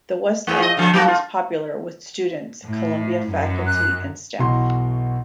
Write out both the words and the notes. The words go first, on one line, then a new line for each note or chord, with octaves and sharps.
The West End was popular with students, Columbia faculty and staff.
E2 A3
D#5
D3 F3
F#3 A#3 F#4
F4
A2
F#2 F#3
F#6
B1 B2 E3 F#4 C6